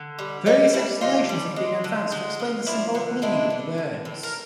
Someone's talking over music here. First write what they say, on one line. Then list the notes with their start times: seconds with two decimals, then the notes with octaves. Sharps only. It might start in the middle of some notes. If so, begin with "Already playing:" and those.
Various explanations have been advanced to explain the symbolic meaning of the birds.
Already playing: D3
0.19 G3
0.46 G3 C#4 D#4
0.73 G3 D4 E4
1.01 D3 D#4 F4
1.29 G3
1.56 G#3
1.84 D3
2.12 G#3
2.40 F3
2.67 F3 D4 E4
2.95 D3
3.22 G#3 D4 E4
3.50 D3
3.78 A2
4.05 A2
4.23 A#4